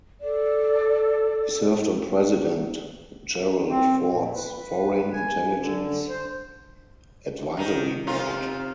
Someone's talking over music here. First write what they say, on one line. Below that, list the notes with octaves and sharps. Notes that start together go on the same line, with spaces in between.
He served on President Gerald Ford's Foreign Intelligence Advisory Board.
A4 D5
C4
A#2
B4
B4
G#5
D3
C5
D#3 D#4
C3 D#4 F4